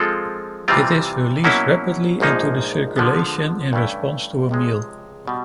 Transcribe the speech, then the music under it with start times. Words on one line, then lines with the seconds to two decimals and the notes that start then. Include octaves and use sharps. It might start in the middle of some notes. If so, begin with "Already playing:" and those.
It is released rapidly into the circulation in response to a meal.
Already playing: F3 G#3 C4 F4 A4
0.68 C3 E3 G3 C4 F4
1.44 B2 F#3 A#3 C#4 E4
2.20 A#1 G#2 F3 A#3 D#4
2.96 D3 F3 G#3 B3
3.73 G2 E3 A3 C#4 E4
4.49 C#2 C3 F3 G#3
5.27 B2 G3